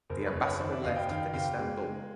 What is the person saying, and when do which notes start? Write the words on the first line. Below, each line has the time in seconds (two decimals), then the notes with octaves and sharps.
The ambassador left for Istanbul.
0.10 F#1 A#4 C5
0.26 B4 C#5
0.35 F#1
0.42 B4 C#5
0.59 D#3 C5 D5
0.72 D5 E5
0.84 F#1 D#5 F5
0.96 F5 G5
1.09 D#3 F5 G5
1.33 F#1 F5 G5
1.59 G#3
1.83 G#3